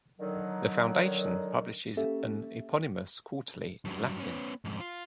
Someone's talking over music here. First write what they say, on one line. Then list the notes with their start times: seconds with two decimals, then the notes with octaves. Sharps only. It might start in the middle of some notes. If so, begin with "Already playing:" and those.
The foundation publishes an eponymous quarterly in Latin.
0.20 D3 D#3 F#3
1.97 A#3 C#4 G4 A4 E5
3.85 G2 F#3
4.19 B3 C#4
4.65 F2 G#2
4.80 F4